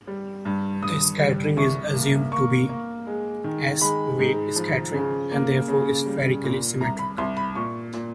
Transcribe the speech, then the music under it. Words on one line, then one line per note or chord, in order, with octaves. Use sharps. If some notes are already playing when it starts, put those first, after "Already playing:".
The scattering is assumed to be "s"-wave scattering, and therefore spherically symmetric.
G3
G2
G2 D#6
G3
C2 C#6
A#3
A#3 C#6
A#3
G#3
D#3
G#3 B5
G#2
F3
C#3
A#3
C#3
G3
A#2
C2 A#5
B5
C2 C6
B5
A#2 C#6
A#2